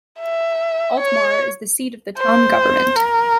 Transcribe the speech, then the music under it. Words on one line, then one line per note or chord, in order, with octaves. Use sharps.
Altmar is the seat of the town government.
E5
C#5
C5
A#4